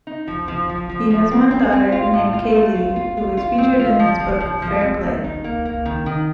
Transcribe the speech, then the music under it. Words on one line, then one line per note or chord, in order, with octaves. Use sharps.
He has one daughter, named Cayley, who was featured in his book "Fair Play".
D#4
F3
F3
F3
F3
F3
C4
C4
C4
F4
A2
F4
A3
F4
F4
F4
F4
C4
F4
F3
F3
F3
F3
C4
D#3
D#4
A#3
A#3
D#3
D#3